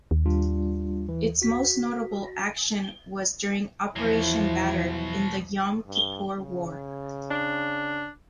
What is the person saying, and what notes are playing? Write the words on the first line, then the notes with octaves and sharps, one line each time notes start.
Its most notable action was during Operation Badr in the Yom Kippur War.
D#2
G3 D4 F4
E3
F#4 B6
E2 B2 F3 F#3 E4
G2
C#3
D4